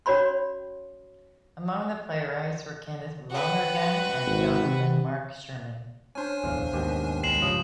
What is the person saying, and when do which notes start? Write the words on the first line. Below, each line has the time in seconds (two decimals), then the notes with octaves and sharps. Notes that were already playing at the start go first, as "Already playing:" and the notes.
Among the playwrights were Kenneth Lonergan and Jonathan Marc Sherman.
0.06 C#4 F#4 C#5 D5 B5 C6
3.30 F#4 B4 F#5 G5
4.26 G#1
4.64 C3
6.15 C#4 D4 C5 G#5
6.44 D1 B1 E2 F5
6.73 D#2 G#2 B2 G4
7.23 C2 G#3 C7 E7 F#7
7.42 G2 C#3 F3 D#6